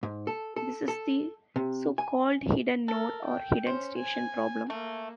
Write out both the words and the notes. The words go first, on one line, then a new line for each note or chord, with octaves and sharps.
This is the so-called 'hidden node', or 'hidden station' problem.
G#2
A4
A4
A4
C3
G#5
A4 A#4
G5
C#4 C5
G#5
A3 A#3